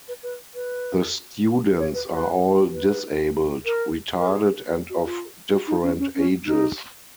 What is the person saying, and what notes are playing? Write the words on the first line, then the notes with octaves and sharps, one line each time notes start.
The students are all disabled, retarded and of different ages.
B4
B4
B4
C#5
B4
B4
B4
A#4
A#4
G#4
F#4
F4
F#4
D#4
C#4
C#4
C#4
D#4